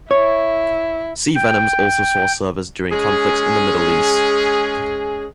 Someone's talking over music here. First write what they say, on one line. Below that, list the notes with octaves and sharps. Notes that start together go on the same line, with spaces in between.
Sea Venoms also saw service during conflicts in the Middle East.
E4 C#5
G5
G#3 C#4 G#4